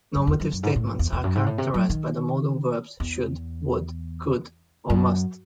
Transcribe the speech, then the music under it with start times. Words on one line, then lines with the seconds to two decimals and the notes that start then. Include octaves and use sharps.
Normative statements are characterised by the modal verbs "should", "would", "could" or "must".
0.15 F#2
0.27 E2
0.40 F#2
0.52 F#2
0.63 G#2
0.76 A2
0.87 G#2
0.99 E2
1.13 E2
1.24 F#2
1.35 G#2
1.46 A2
1.58 C3
1.74 F#3
1.90 D#3
3.00 E2
4.90 F#2